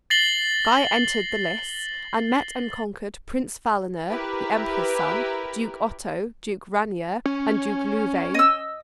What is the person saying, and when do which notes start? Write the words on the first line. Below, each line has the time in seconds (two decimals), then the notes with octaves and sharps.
Guy entered the lists and met and conquered Prince Philaner, the Emperor's son, Duke Otto, Duke Ranier, and Duke Louvain.
0.10 A6 A#6 C7 F#7 G7
4.08 E4 G4 A#4 B4
7.26 C#4
8.34 D#5 E6